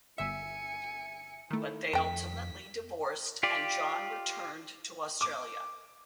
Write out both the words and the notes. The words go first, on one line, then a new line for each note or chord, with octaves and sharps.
But they ultimately divorced, and John returned to Australia.
G1 E5 G#5 C#7
D#3 A3 E4
F2 A4 G5 B6
F4 G4 D5
D6